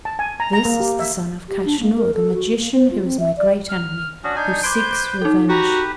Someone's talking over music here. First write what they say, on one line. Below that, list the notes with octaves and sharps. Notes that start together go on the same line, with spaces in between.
This is the son of Kaschnur, the magician, who is my great enemy, who seeks revenge.
A5
G#5
A#5
A#5
A#3
G4
E5
G4
D4
A#3
A#4
A4
F#4
A#3
C5
F4
C4
E5
D5
F6
C#4 D4 F#4 D#6
D4 D#4 G#5 G6
B4 C5 C6 D6 G#6 D7
D#4 A4
F#4 G4 B4 A#5